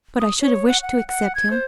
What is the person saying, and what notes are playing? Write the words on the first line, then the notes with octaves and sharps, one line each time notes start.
But I should have wished to accept him.
D#6
C#5
F#5
F#5
F#5
G#6
C5